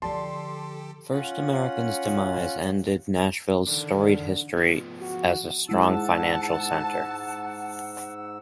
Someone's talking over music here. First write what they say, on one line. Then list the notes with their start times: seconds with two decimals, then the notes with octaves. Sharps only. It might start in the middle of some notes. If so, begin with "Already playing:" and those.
First American's demise ended Nashville's storied history as a strong financial center.
0.02 D3 F3 G4 A4 D5 A5 C6
1.12 C#4 F4 F#5
3.67 D3 D#3 D4
4.57 F3 B3
5.01 F#4
5.69 G#2 G#3 E4 F#5 A5 E6